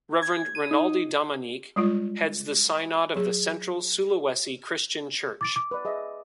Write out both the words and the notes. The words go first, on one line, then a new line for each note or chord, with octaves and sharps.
Reverend Renaldy Damanik heads the synod of the Central Sulawesi Christian Church.
G#6
D#7
D#4
G3 G#3 F4
F#3 G#4
D6 A6 D7
D6
B4 D5
G#4 D#5 E5